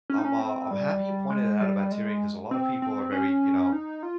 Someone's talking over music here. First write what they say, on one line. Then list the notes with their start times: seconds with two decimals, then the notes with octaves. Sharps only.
I'm, uh I'm happy you pointed it out about Tyrion, 'cause a lot of people are very, you know,
0.10 C#4
0.18 D#4
0.25 C#4
0.40 C4
0.71 G3
1.30 G#3
1.61 G3
1.92 G#3
2.51 C4
2.82 C4
3.12 C#4
3.73 D#4
4.03 F4